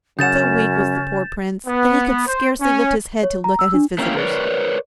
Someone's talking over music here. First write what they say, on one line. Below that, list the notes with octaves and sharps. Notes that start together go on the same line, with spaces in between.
So weak was the poor Prince, that he could scarcely lift his head to look at his visitors.
F#2 C#3 C#4 F#5 G6 A6 E7
B3
C5
C#4
C#5
A#5
E6
D4
A3 A#3 C#4 E4 G4 F5
A#4 B4 C#5 D5